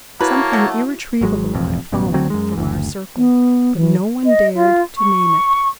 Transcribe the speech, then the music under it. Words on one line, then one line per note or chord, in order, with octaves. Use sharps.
Something irretrievable had fallen from our circle. But no one dared to name it.
A#3 E4 F#4 B4 C#5 A5
F#3 A3 B3
G#1 F#3 G#3
E1 A1 F2
A1 F#2 B2
D2 D3 F#3 C4
F#2 G#3
F#1 D2
B3
E3
D#5
F4
C#6